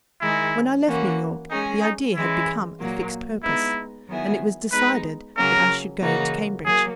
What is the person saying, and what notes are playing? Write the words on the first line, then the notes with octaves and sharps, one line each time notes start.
When I left New York the idea had become a fixed purpose; and it was decided that I should go to Cambridge.
D#3 G#3 D#4 E4 G#4
E3 A#3 C#4 F#4
G#3 C#4 D#4 G#4
D#4
E3 G#3 C#4 E4
A#2 F#3 A#3
G#3 B3 D#4 E4
D#3 F#3 B3 E4 G#4
G#3 B3 D#4 B4
C#3 F#3 A#3 C#4 A#4
C#3 E3 A#3 D#4 F#4
F#3 A#3 G#4